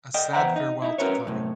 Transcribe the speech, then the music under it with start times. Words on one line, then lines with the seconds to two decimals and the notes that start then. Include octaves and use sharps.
A sad farewell to Fleming.
0.14 D5 D#5 G5
0.33 E2 C5 E5 F#5 G5 A#5
0.56 D#4
0.82 D#4 E4
0.98 C#4 D4 F#4 A#4 B4 C#5
1.26 C#2 F#2 A2 C3